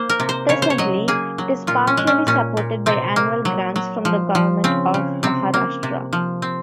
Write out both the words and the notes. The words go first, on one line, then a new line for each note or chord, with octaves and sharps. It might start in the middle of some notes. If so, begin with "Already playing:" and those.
Presently, it is partially supported by annual grants from the Government of Maharashtra.
Already playing: A#3 C5
A#4
C3
C5
C#3 C#5
C5
C#5
F#3 D#5
A#3 G#4
F#3
A#2 F4
C#4
G#3
C#4
A#2 C#4
A#2
C3 C4
A#3
F#3
F#3
F3
F3
C#3 C4
C#3
C3 C4
A#3
C3
F3
C4